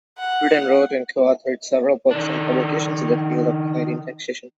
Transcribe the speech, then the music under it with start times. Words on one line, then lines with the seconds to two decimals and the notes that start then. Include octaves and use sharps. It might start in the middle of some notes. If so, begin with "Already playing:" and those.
Bryden wrote and co-authored several books and publications in the field of Canadian taxation.
0.19 F#5
2.11 D#3 D4